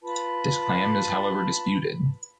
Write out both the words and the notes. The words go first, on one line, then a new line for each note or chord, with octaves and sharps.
This claim is however disputed.
F4 B4 A5 B5